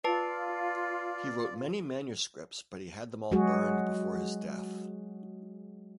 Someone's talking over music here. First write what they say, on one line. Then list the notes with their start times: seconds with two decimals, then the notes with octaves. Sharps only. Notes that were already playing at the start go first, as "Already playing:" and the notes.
He wrote many manuscripts, but he had them all burned before his death.
0.04 F4 B4 D5 A5
3.32 F#3 G#3 F#4 G#4